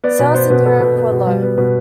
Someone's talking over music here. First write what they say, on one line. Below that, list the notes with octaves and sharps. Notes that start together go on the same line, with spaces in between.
Sales in Europe were low.
B3 D5
B2 B4
B3 C5
B2 B4
B3 A4
B2 B4
B3
B2
G3
B3
B2 B4